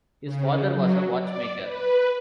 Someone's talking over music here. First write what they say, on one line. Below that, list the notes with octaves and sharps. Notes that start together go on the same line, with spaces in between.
His father was a watchmaker.
C#3
F#3
D5
B4